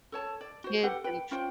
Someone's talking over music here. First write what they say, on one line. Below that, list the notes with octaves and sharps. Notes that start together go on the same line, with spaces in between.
kids and
A4 C#5 A5
D5
F#4 C5
G4 A4 B4 F#5
B4 G5
C#4 F4 C5 G5